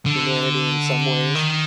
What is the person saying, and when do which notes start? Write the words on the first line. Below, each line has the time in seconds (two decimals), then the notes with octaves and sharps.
humanity in some ways,
0.06 D3
1.35 D#3